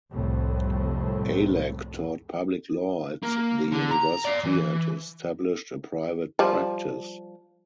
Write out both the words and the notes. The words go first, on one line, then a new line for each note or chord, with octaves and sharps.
Alak taught Public Law at the university and established a private practice.
C2 F2 A2
A#3
D3
A#5
D5 A#5
E3
F3 G3